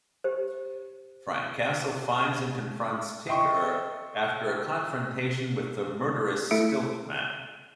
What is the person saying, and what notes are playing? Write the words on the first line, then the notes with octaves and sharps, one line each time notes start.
Frank Castle finds and confronts Tinkerer after a confrontation with the murderous Stilt-Man.
G4 C5
D#5 E5 G5 C6 C#6
A3 E4 A4 E5 C#7 D7